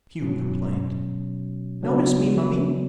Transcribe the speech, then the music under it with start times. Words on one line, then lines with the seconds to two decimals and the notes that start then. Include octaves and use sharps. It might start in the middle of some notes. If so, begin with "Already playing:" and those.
Hugh complained, "Notice me, mummy!"
0.22 B2 F#3 C#4
1.82 C#3 F#3 B3 D4 F#4